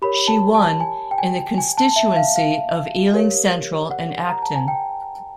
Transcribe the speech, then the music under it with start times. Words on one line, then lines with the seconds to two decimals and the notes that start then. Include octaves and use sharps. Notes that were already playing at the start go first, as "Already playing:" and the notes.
She won in the constituency of Ealing Central and Acton.
0.02 G4 A#4 C#5 B5
0.28 A5
0.55 A5
0.80 G#5
1.11 G5
1.18 G#5
1.58 G#5
1.78 A5
1.96 E5
2.16 F5
2.36 F5
3.13 G4 A#4 C#5
3.91 F#5
4.29 A#5
4.42 A5
4.56 G#5
4.68 G5